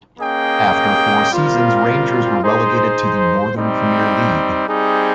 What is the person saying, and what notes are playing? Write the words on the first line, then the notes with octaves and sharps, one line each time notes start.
After four seasons Rangers were relegated to the Northern Premier League.
A#3 C#4 G#4 D#5 G5
G3 C4 F4 A#4 F5
D#4 G#4 C5
G3 C4 D#4
G3 C4 D#4 G#4